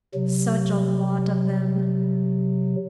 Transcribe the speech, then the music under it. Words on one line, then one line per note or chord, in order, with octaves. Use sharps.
Such a lot of them!
C3 F#3